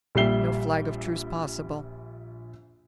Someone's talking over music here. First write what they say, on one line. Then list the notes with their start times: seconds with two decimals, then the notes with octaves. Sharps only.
No flag of truce possible.
0.15 A#1 G3 E5 C7 G7